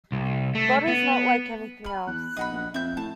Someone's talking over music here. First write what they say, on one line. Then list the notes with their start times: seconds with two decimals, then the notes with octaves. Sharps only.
God is not like anything else.
0.12 C2
0.55 A3
0.88 B3
1.84 B5 F6
2.07 E2 F#6
2.37 B1 D#5 F#5 B5
2.52 A#1
2.74 F2 C4 E5 G6
2.97 A2 A5